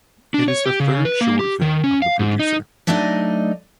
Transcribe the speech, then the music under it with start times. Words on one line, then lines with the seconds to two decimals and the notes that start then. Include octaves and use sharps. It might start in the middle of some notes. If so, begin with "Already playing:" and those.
It is the third short film of the producer.
0.34 D4
0.48 C#5
0.66 G4
0.80 C#3
1.05 B4
1.21 A#3
1.39 G4
1.62 D#3
1.84 C#4
2.02 F5
2.19 G#2
2.39 D#4
2.87 F#3 A3 D4 D#4 D5 D#5